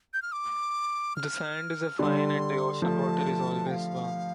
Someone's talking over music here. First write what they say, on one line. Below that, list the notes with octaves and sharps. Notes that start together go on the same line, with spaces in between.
The sand is a fine and the ocean water is always warm.
G6
F6
D6
F6
D3 G3 C6
F3 A3 A5 C6
G5
F5